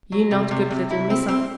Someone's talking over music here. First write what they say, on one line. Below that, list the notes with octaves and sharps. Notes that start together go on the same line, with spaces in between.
You not good little Missa.
F#3
C3
C3
C3
E4
C4
C4